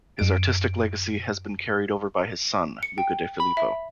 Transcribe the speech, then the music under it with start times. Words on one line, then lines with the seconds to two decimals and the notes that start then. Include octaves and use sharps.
His artistic legacy has been carried over by his son Luca De Filippo.
0.19 F#2 D7
2.83 C#7
2.98 G5
3.40 B5
3.57 E5